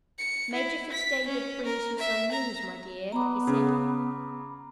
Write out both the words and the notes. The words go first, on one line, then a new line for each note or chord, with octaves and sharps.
"Major Fitz-David brings you some news, my dear," he said.
C#7
E4
B6
C#4
A#4
E5
A#5
B3 A#5 B5 D6
C#3